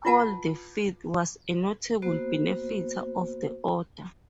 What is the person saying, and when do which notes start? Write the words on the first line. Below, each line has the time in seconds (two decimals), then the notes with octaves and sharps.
Paul the Fifth was a notable benefactor of the order.
0.05 E4 F4 B4 F#5 A5
2.02 A#3 B3 F#4 C5